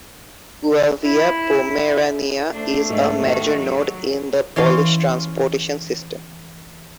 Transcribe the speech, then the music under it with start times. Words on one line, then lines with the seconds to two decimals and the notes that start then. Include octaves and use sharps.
Kuyavia-Pomerania is a major node in the Polish transportation system.
1.03 E4
2.53 A3 D4 C5
2.87 G#2 F#3 A#3
3.20 D#3 F#4
3.58 F#3
4.56 E3 C#4 F5 C6